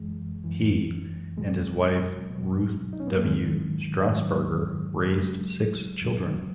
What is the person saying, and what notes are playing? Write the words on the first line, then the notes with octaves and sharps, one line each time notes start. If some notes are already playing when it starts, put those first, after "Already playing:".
He and his wife, Ruth W. Strassburger, raised six children.
Already playing: F#2 E3 G#3
F#2 E3
E2 B2 F#3 G#3
E2 B2 F#3
D#4
C#4
B3
A#3
G#2 D#3 F#3 G#3
G#2 D#3 F#3
E2 C#3 F#3 G#3
E2 C#3 F#3